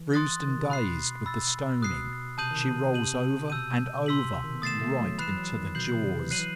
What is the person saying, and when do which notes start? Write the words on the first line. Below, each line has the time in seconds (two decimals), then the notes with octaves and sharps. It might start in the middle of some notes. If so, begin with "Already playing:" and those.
Bruised and dazed with the stoning, she rolls over and over, right into the jaws.
Already playing: E3
0.14 C6 D#6 F#6 A6
0.48 D#3
0.58 C3
0.69 B2 B5 F#6 C7
1.26 B5 E6 A6
1.81 B2 D#6 F#6 C7
2.38 C3 A5 D#6 G6 D#7 F#7
2.51 D#3
2.64 C3
2.94 C3 G6 D#7 F#7
3.50 B2 E6 G6 D#7
4.06 B2 C6 E6 B6 F#7
4.24 C3
4.44 D#3
4.55 B3
4.62 A3 D#6 A6 C7 E7
4.82 A3
5.00 F#3
5.18 E3 B5 F#6 C7 E7
5.37 F#3
5.56 D#3
5.75 B2 G6 C7 F#7
5.88 C3
6.02 C3
6.17 E3
6.31 F#3 F#6 C7 D#7 F#7
6.39 E3